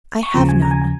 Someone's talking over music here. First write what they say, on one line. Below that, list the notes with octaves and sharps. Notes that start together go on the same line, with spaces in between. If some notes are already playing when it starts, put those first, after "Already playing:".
"I have none."
C#6
D#2 C#3 F3 A#5
G#5
A#5
G#5
G#5